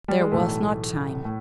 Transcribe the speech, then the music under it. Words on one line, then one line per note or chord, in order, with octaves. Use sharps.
There was not time.
G3
G#3
B1 A2 E3 A3
A2